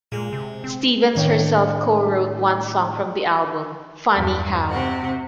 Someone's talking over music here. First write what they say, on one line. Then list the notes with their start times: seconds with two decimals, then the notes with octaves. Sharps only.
Stevens herself co-wrote one song from the album; "Funny How".
0.12 A#2 G#3
0.33 C3
0.64 C4
1.15 A2 D#3 D4 C#5 G5
4.13 E2 G2
4.69 C3 C4 F#4